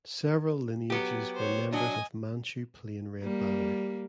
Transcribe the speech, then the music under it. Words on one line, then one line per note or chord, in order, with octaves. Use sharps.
Several lineages were members of Manchu Plain Red Banner.
F#3 B3 G4
C5 C#5
F#3 D4 D#5 G#5
G3 A#3